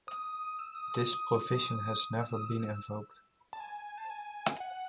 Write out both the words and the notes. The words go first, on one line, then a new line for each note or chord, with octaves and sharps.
This provision has never been invoked.
D#6
E6
D#6
D#6
E6
D#6
E6
E6
A5
G#5
A5
G#5
F#5